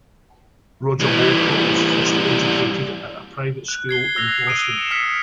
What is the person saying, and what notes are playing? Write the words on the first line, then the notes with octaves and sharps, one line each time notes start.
Roger Wolcott was first educated at a private school in Boston.
E3 G3
F#6
G#6 C7 G7
E6 F#6 A#6 F7
D#6 D7 D#7
C#7 E7
E6 F6 B6 C#7